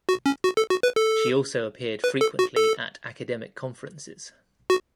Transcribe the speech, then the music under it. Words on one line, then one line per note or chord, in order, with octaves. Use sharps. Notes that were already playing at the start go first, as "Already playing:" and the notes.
She also appeared frequently at academic conferences.
F#4
C#4
F#4
A4
F#4
B4
A4
B4
A4
F#4
A4
F#4